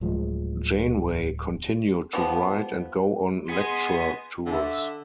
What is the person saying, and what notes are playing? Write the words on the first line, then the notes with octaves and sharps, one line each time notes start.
Janeway continued to write and go on lecture tours.
D1 F3 G#3
F3 G3 B3
B3 G#4 D#5 G#5 C6
D3 E5